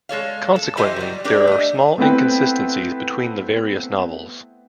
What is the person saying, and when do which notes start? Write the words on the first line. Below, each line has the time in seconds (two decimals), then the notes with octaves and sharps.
Consequently, there are small inconsistencies between the various novels.
0.09 G#3 A4 C#5 F5
0.56 A4
0.77 E3 E4 G4 C5 D#5
0.96 F#3 G3
1.24 G3 D4 G4 A#4 D5
1.47 A3 D#5
1.98 A3 B3 C4 E4 B4 G5